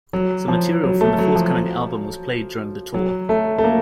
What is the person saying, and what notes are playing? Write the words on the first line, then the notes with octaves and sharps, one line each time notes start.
Some material from the forthcoming album was played during the tour.
F#3
F3
F#3
A3
F#3
F3
F#3
A3
A3
A#3